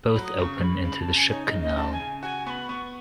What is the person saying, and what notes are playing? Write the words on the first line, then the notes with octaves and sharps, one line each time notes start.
Both open into the ship canal.
B5
F#3
D#6
C#3 C#6
C#3 B5
C#3 B5
A5
C#3
G#5
D#4 C#5
D#5
C#3
D#5
C#3 A5
G#5
C#3
F#4 G#5
B3 B5 C#6
B3 C#6